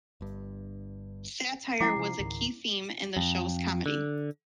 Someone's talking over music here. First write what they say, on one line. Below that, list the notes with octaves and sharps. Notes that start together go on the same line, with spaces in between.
Satire was a key theme in the show's comedy.
G1 G2
F3 G#3 C#4 E4 A#5 D6 C7
C3 F3
C#2 G#2 D#3
F2
D3